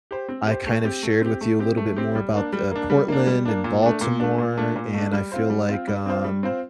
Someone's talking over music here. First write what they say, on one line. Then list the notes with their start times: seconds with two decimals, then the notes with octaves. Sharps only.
I kind of shared with you a little bit more about th uh, Portland and Baltimore, and I feel like, um,
0.11 G4 C5
0.28 C4
0.47 G4 C5
0.66 A3
0.84 C4 G4
1.03 A3
1.22 C4 G4
1.41 A3
1.59 C4 G4
1.77 A3
1.97 C4 G4
2.15 G3
2.34 A#3 D4
2.53 G3
2.71 A#3 D4
2.90 G3
3.08 A#3 D4
3.27 G3
3.45 A#3 D4
3.64 A#2
3.83 A3 D4
4.01 A#2
4.20 A3 D4
4.38 A#2
4.57 A3 D4
4.76 A#2
4.94 A3 D4
5.13 G3
5.32 C4 F4 C5
5.50 G3
5.69 C4 F4 C5
5.87 G3
6.06 C4 F4 C5
6.24 G3
6.43 C4 F4 C5